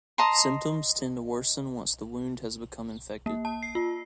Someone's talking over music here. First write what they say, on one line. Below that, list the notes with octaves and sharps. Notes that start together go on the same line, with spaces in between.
Symptoms tend to worsen once the wound has become infected.
D#5 A5 A#5 C6
A#3
A5
C7
F4